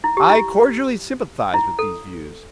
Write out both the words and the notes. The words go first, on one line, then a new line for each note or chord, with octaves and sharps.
I cordially sympathized with these views.
E4
G4
E4
E4
A4